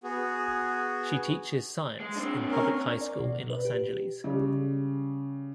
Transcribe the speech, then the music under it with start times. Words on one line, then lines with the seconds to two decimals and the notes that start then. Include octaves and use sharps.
She teaches science in public high school in Los Angeles.
0.04 B3 F#4 G#4
2.00 G#3
2.15 C4 D4
2.51 C#4 A#4
3.01 D5
3.20 B2
3.50 B4
3.65 G4
4.24 C#3 G3